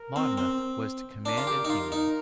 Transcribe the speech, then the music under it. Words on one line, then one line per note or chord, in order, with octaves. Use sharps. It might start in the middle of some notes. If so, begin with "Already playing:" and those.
Monmouth was to command in England.
Already playing: A#4
C4
C4
D4 A#4
F4
G4
D#4
F4
D#4